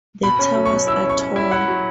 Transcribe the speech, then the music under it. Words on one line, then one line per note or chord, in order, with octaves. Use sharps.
The towers are tall.
B2 B5
C#4
F#3
C#6
B2
E4 E6
C#4
C#6
C#4
E4
E4 F#5
F#3